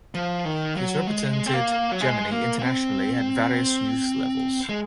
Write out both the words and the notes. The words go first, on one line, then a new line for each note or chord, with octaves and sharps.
He has represented Germany internationally at various youth levels.
F3
D#3
F#3
G#3
C4
A#3
F#3
G#3
A#3
A#3
C4
G#3